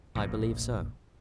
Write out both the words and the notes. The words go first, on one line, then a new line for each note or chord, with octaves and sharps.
"I believe so."
F1 A#1 G2